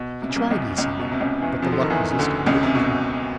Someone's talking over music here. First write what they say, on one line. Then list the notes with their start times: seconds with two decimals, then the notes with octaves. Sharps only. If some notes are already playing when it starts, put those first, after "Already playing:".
He tried easy now; but the luck resisted; wouldn't come.
Already playing: B2
0.22 C3
0.30 C#3
0.36 C2 C3
0.50 C#2 C#3
0.78 C#2 C#3
0.99 B2
1.12 C3
1.20 C#2 C#3
1.41 E2 E3
1.62 F2 F3
1.72 D3
1.81 D#3
1.90 E2 E3
2.10 C#3
2.19 D2 D3
2.46 C#2 C#3
2.63 C3
2.75 B2